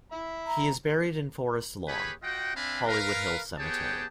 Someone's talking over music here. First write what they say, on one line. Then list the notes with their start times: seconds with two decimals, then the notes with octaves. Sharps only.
He is buried in Forest Lawn - Hollywood Hills Cemetery.
0.12 E5 B5
0.47 A#5
1.87 A#3 G4 G#4 B4 C#5 B5
2.22 F4 F#4 D#5 F#5 G5
2.55 C4 D4 E5 F5 G#5 B5
2.87 A#4 B4 F5
3.58 B3 G4 G#4 C#5 G5 A5